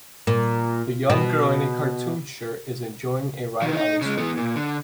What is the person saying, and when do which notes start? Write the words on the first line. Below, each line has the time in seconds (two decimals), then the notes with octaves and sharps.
The young girl in a cartoon shirt is enjoying a ride on a swing.
0.27 A#2
1.10 B2
3.62 D#3 E3
3.77 D#4
4.01 C#3 G#3
4.18 E3 B3
4.37 A#2
4.56 D3